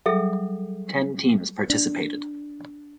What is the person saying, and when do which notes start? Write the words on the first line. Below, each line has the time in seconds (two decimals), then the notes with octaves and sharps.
Ten teams participated.
0.06 F#3 G3 G#4 A4 E5
1.70 D4